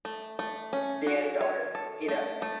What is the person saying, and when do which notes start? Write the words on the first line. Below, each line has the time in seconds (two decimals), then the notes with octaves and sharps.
They had a daughter: Itta.
0.05 A3
0.39 A3
0.73 C#4
1.07 F#4
1.41 C#5
1.75 A4
2.08 A3
2.42 A3